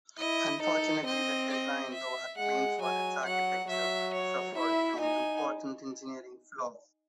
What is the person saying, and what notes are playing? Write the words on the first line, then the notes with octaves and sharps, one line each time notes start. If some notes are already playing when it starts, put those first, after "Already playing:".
Unfortunately, the design, though acclaimed for its architecture, suffered from important engineering flaws.
E4 D#5
D#4 A4
C4 D#5
D#5
E5
G#3 F#5
F#3 G#5
F#3 F#5
F#3 E5
C#5
E4 E5
D#4 G#5